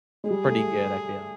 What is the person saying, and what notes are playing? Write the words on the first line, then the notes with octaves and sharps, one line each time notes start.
pretty good, I feel.
G#3
G3 G#4
A3